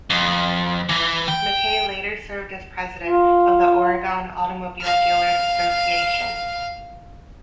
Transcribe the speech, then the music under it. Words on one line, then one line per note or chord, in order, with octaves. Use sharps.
McKay later served as president of the Oregon Automobile Dealer's Association.
F2
E3
G5
F4
F5 F6